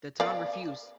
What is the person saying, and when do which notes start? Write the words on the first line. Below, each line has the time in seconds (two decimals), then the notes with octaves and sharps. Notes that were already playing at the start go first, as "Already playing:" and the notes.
The town refused.
0.20 D5 F5